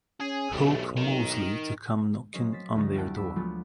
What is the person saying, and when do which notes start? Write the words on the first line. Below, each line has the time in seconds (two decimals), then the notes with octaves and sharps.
Hoke Moseley to come knocking on their door.
0.20 C#4 G#4
0.52 B1 G3 A3
0.97 D#3
2.33 F#3 C#4 A#4 C5 D#5
2.52 C5 A6 B6
2.75 D2 F3 C#4 D#5 A#5 A#6
2.95 G3 E4 F#5 A5 D7
3.16 B5 D6 E6
3.36 F3 F#3 G#3 A3 B3 F4